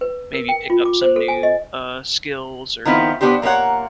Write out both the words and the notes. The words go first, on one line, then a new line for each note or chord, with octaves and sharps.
maybe pick up some new, uh, skills or
B4
A#4
G5
F4
D6
C5
A4
G#5
D#5
D#3 F3 B3 C4 E4 F4
B3 D4 E4 G4 C5
A#2 A#3 C#4 C#5 F#5